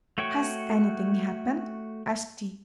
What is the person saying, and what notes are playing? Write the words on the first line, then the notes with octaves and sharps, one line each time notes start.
'Has anything happened?' asked he.
A3 F#4 C#5 G5 C#6